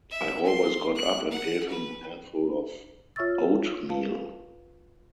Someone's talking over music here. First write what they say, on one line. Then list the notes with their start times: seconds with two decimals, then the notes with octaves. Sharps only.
I always got up and gave him a handful of oatmeal.
0.10 E5
0.45 C6
0.95 F#6
1.31 F#5
1.69 B4
3.16 F4 C#5 E5 C#6 E6 A6
3.89 B4 F5 A5